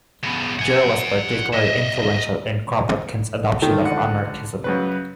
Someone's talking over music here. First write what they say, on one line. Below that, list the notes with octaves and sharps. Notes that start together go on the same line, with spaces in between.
Jura was particularly influential in Kropotkin's adoption of anarchism.
C#3 B3
F#5 G#5
D#5 E5
D3 D#3 A3 A#3
C#2 D3 F#5 F#6
F#2 C#3 B4